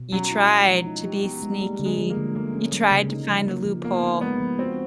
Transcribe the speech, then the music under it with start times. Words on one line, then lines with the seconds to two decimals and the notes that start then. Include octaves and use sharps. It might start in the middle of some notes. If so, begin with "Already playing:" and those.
you tried to be sneaky, you tried to find a loophole.
Already playing: B2
0.12 F#3 C#4
0.31 E4
0.49 G#3
0.68 F3
0.86 D#4
1.05 G4
1.24 B3
1.42 G#3
1.61 G3 A#3
1.79 D3
1.85 G#3
1.98 F3
2.10 A#3
2.17 D3
2.35 A3 A#3
2.54 C#4
2.72 F#3
2.91 C#3
3.09 D#4
3.29 F3
3.47 A#3
3.65 F3
3.84 A#3 B3
4.03 D#4
4.21 G#3 B3
4.40 F3
4.59 C4 F#4